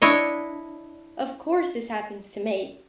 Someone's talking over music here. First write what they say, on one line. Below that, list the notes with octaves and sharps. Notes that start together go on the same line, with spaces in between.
"Of course, this happens to me."
D4 E4 C#5 D#5